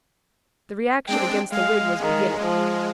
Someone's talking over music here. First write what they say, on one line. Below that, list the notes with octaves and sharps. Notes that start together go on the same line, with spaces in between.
The reaction against the wig was beginning.
G#3 C4 D4 G5
G#3 F5
D#3
F3